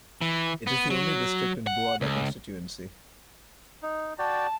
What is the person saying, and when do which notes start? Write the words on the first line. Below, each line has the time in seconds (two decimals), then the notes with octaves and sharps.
It is the only district in Buada Constituency.
0.22 E3
0.67 B3
0.91 F#3
1.67 F#5
2.01 C#2
3.82 D#4
4.19 F#4 D5 G5 A5